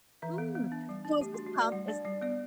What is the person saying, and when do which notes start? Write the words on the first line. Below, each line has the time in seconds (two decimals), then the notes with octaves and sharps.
Mm! So is this com is
0.22 E3 E5
0.38 B3
0.55 B3
0.72 D4
0.89 G3
1.05 D4
1.21 A3 G4
1.34 F#4
1.38 D4
1.46 F#4
1.55 A3 D5
1.72 G3 F#5
1.88 D4 D5
2.05 G3 D5
2.22 B3 D5